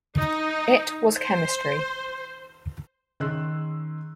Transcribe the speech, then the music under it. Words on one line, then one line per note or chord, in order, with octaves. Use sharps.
It was chemistry.
D#4
C5
D#3 C#4 G#4 C6 E6 F#6